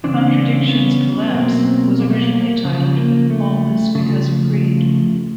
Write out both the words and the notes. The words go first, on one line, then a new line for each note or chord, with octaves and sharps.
"Contradictions Collapse" was originally titled "All This Because of Greed".
C#3 E3 C4 D4
B3 C#4
B2 F#3 A#3 C4
A#3
A3
A#3
A#3
C#3 F3
A#3
A3
C#3 F3 A3